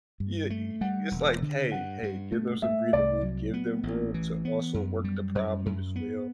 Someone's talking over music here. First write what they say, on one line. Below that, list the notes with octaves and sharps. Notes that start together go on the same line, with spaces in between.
you, y y it's like, "Hey hey" give them some breathing room, give them room to also work the problem as well,
G2
A3
G3 F#5
E1
D3
G2 F#5
G2
A3
A3 E5
C2 D5
F#3
B3
A1
E3
B3
F#2
G3
F#2
F#2
B3